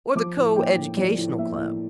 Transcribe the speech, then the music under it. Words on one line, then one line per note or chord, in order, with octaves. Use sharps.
Or the Co-educational Club?
F3 D6
A2
A#3 G5
A2
F3 D5
A2
A#3 E5
A2